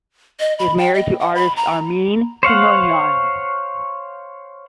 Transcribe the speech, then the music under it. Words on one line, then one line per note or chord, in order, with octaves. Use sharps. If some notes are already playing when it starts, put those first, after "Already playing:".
He is married to artist Armine Tumanyan.
D#5
B5
G5
D#5
F#5
B5
A#5
C5 C#5 F5 F#5